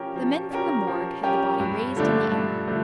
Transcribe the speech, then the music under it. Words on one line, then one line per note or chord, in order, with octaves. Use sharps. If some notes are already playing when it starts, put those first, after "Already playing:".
The men from the morgue had the body raised in the air.
Already playing: F3 C#4 G4 A#4
F3
C#4 G4 A#4
F3
C#4 G4 A#4
G2
D3 F3 A3 D4
G2
D3 F3 A3 D4